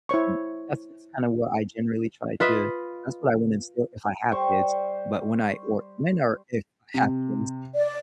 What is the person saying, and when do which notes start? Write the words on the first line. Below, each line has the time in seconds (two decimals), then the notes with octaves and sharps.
and that's that's kind of what I generally try to that's what I wanna instill, if I have kids, but when I or when or if I have kids,
0.09 E4 C5 C#5 C#6
2.40 F4 B4 D#5 E5
4.31 G3 C5 C#6
6.94 C3
7.76 D5